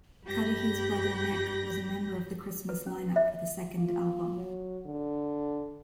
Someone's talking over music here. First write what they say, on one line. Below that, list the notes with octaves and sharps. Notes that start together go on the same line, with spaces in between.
Cudahy's brother Nick was a member of the Christmas lineup for the second album.
G2 G4 B5 G6 A#6
B4
C#4
E5
F4
F#3
D3